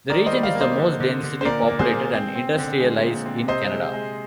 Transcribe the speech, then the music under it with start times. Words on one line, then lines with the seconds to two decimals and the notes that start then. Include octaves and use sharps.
The region is the most densely populated and industrialized in Canada.
0.10 D#3 A#4 D5
0.26 C5 D#5
0.33 G3
0.43 D5 F5
0.55 A#3
0.61 C5 D#5
0.78 D3
1.00 D3
1.23 D3
1.41 C5
1.45 A#2 A#4 D5
1.68 A#3
1.79 G#4 C5
1.91 A#2
2.13 C4
2.36 C4
2.58 D3
2.81 G#3
3.03 A#2
3.26 C4
3.48 C3 C5 D#5
3.71 G#3
3.93 G#3